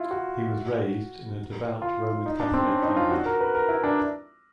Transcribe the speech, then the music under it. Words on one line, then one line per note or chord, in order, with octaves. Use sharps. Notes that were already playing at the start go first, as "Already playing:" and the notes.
He was raised in a devout Roman Catholic family.
Already playing: E4 F4
F#4
F4
D#4
D4
C4
C#4
D#4
F4
F#4
A#4
B4
A#4
E4
D4